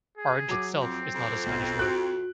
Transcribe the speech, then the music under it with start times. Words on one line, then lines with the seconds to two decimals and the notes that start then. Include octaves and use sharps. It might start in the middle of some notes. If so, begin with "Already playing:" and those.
"Orange" itself is not a Spanish word.
0.18 G#4
0.49 F#3 D6
0.80 F2 C4
1.15 F2
1.46 B1
1.79 F#4 F#6 D7